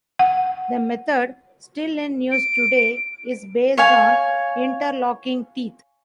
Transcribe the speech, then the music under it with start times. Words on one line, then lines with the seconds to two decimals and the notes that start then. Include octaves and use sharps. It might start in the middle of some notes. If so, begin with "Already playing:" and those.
The method, still in use today, is based on interlocking teeth.
0.19 F#5
2.32 D7
3.77 C#5 F5 G#5